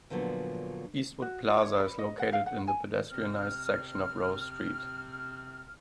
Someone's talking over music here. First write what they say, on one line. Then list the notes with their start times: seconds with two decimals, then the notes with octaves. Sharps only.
Eastwood Plaza is located on the pedestrianised section of Rowe Street.
0.10 A#2 D3 F3 F#3 B3
1.22 F#4
1.49 F4
1.62 C#5
1.80 B5
1.99 D#5
2.19 F#5
2.33 F5
2.46 F#5
2.67 G#5
3.11 C3 C4 F6